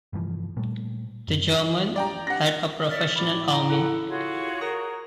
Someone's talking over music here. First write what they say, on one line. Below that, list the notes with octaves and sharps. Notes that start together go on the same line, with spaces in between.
The German had a professional army...
F1 G2 E3 F3
A#2 G3 A3
F#2
D5 G5 A#5
F#5 A#6
C#5 D5 E5 F6 A6
A2 D5 B5 D6
D#5 G5 A#5
E4 A4 F#5
F4 F#4 G#4 C#5
A#4 D#6